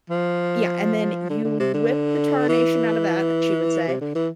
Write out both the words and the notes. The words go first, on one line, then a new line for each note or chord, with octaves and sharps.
yeah, and then you "whip the tarnation outta that," she would say,
F3
D3
D3
C3
D3
E3
C3
D3
E3